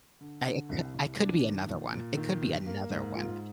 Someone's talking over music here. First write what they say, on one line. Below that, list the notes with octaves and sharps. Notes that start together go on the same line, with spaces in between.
I I cou I could be another one It could be another one.
D3
D3
C2
C2
D4
D#3
A#2
A#2
D#3
G2
A#3
G#2
F4